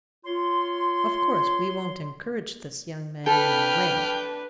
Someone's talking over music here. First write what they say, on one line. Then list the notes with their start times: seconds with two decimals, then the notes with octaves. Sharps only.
Of course we won't encourage this young man in any way.
0.25 F4 C#5 C6
3.27 D4 A4 B4 G5 B5 F6